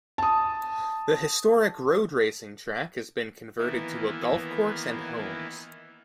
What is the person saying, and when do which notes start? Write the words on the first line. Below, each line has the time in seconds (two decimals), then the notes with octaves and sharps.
The historic road racing track has been converted to a golf course and homes.
0.18 A5 D#6
3.58 D#3 E3 A#3 B3 E4